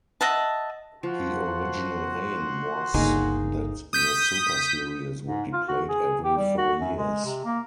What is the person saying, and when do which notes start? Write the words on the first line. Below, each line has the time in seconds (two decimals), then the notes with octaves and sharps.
The original aim was that the Super Series would be played every four years.
0.21 D#5 E5 F#5 A5
1.03 F3 F#4 F#5 C6
2.94 G1 D2 C#3 A#3 D#4 G#4
3.93 D#6 G6 B6
5.27 G#2
5.53 F4
5.68 F#4
5.89 G#4
6.24 G4
6.37 G3
6.58 F#4
6.81 F#2
6.98 G#3
7.25 C3
7.45 A#3